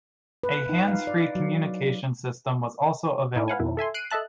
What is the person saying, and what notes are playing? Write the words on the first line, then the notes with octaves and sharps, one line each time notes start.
A hands-free communication system was also available.
B4
D#4
F5
D5
F#3
A2 D#4 E4
B4 F5 F#5 G#5
F2 B2 D#3 E4
A4 E5 G#5 C6
F#6 C7 D7 D#7
A4 D#5 E5 A5 F#6